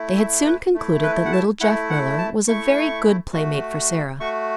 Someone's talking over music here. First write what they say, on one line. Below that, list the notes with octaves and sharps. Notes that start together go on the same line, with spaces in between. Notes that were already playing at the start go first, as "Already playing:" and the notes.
They had soon concluded that little Jeff Miller was a very good playmate for Sara.
Already playing: A3 E4
E5
B4
A3 E4
B4
F#5
A5
A3 E4 F#5
F#5
A5
A3 E4 C#6
A3 F#4
A3 F#4 C#6